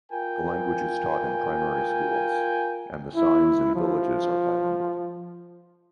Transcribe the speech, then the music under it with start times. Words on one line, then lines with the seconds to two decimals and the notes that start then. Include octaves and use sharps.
The language is taught in primary schools and the signs in villages are bilingual.
0.12 F4 A#4 G5 G#5
3.16 E4
3.75 F3